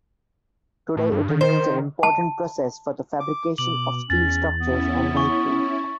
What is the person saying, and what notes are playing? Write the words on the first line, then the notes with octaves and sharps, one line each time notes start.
Today it remains an important process for the fabrication of steel structures and vehicles.
A2
G2
D#3
C5
A5
D6
B2 D6 F#7
E2 C#4 A6
B3 C#4 E4
C#6